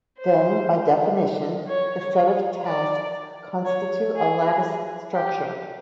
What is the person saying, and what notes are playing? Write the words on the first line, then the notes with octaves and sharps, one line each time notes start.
Then, by definition, the set of tasks constitute a lattice structure.
C5
C#5
D5
C#5
G#4
G4